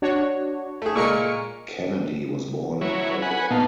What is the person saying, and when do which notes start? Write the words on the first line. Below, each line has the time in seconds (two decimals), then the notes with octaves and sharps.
Kennedy was born in Melbourne.
0.02 D4 F#4 C#5
0.82 A3 G#4
0.96 A#2 G#3 A#4 C#6 F6 C#7
2.81 F#3 E4 C#5
3.22 F#5 G#5 B5
3.51 A#2 B3 D#4 F5 A5